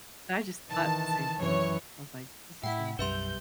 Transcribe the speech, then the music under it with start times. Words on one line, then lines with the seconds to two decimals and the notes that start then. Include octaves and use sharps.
But I just thought the same thing, I was like, "This is amazing."
0.70 D#3 E3 A5
1.39 F#2 E3 C#5
2.64 A2 E4 F#5 G5
2.99 B1 F#2 G3 B4 E5 C6 G6